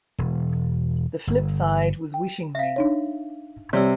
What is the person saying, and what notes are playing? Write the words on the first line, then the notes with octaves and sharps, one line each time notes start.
The flip side was Wishing Ring.
E1
G1
G5
E5 F5
D4 D#4 C#5
C3 G3 G4 C#5 D5 E6